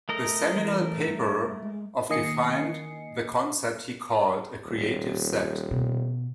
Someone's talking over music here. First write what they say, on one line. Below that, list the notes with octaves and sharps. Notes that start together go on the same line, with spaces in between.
The seminal paper of defined the concept he called a Creative set.
A3 A#4 D#5
E3
G2
G#3
D#3 A#3 D#5 G#5 C7 C#7
D#1
B2